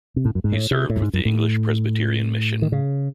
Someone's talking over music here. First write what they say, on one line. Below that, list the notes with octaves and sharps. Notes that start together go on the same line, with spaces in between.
He served with the English Presbyterian Mission.
C3
A2
F#2
G#2
A2
C3
A2
F#2
G#2
F#2
A2
D#3
C#3